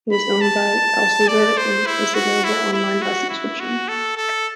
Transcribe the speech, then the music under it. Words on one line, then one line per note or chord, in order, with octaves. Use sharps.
It is owned by Elsevier and is available online by subscription.
B5
A5
D5
C5
E4
F#4
E4
E4
F#4
E4
F#4
A4
A4